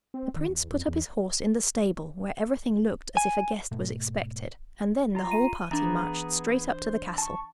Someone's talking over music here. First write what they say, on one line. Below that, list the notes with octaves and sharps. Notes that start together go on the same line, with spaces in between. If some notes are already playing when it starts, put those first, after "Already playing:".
The prince put up his horse in the stable, where everything looked as if a guest was expected, and then the whole party marched straight up to the castle.
C4
D#3
E2
F2
E2
G#5
G#2 B2 A3
F4 A#5
D#7
E3 B3 D4 G#4 A#5
C5
A5 C#6